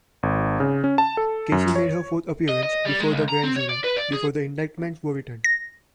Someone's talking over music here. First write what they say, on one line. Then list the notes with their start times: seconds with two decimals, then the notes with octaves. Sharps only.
Casey made her fourth appearance before the grand jury before the indictments were returned.
0.23 G#1
0.60 C#3
0.84 C#4
0.98 A5
1.17 A4
1.52 F#2
1.76 C#5
2.49 D#5
2.63 D#5
2.85 G3
3.00 G#3
3.12 C#2
3.29 A#5
3.44 C4
3.56 C#5
3.69 D5
3.84 B4
3.96 D5
4.13 G#4
5.44 A#6